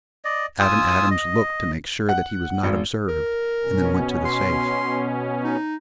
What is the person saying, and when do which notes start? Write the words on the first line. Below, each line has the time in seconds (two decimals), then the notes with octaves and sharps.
Adam Adams looked to make sure that he was not observed, and then went to the safe.
0.25 D5 D#5
0.60 F4 G#5 D#6 E6
1.11 D#5
2.09 F#5
2.63 G#1
3.09 A#4
3.63 B2 C#4
4.25 C6
5.44 D#4